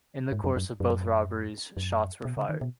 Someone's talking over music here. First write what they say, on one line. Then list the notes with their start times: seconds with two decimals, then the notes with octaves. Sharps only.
In the course of both robberies, shots were fired.
0.32 G#2
0.44 F#2
0.56 F#2
0.80 F#2
1.77 F#2
2.25 B2
2.37 C#3
2.49 D#3
2.61 B2